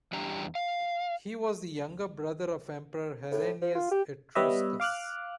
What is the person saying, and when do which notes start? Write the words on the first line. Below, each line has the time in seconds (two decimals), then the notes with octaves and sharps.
He was the younger brother of emperor Herennius Etruscus.
0.13 E2 G3 D4 G4 A#5
0.55 F5
3.31 A2
3.61 F3
3.75 F4
3.91 G4
4.35 G3 B3 B4 C#5 D#5 E5
4.80 F5 D6 F6 F#6